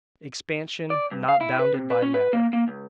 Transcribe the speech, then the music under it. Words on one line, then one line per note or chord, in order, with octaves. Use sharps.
Expansion not bounded by Matter.
D5
G2
F5
E4
B4
C3
B4
C#4
B4
A#3
A#3
C#2